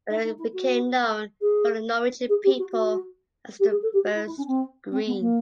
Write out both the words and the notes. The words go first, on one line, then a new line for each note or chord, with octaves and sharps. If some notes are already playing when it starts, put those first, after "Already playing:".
And it became known for the Norwegian people as the first “green”.
D#4
D#4
E4
F#4
G#4
G#4
G4
F#4
F#4
G4
G#4
A4
G4
F#4
E4
E4
C#4
C4
C4
B3
A#3